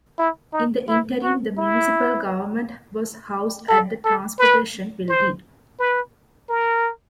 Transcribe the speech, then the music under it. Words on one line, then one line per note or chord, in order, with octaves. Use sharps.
In the interim the municipal government was housed at the Transportation Building.
E4
D#4
E4
F#4
E4
A4
A4
B4
C5
B4
A#4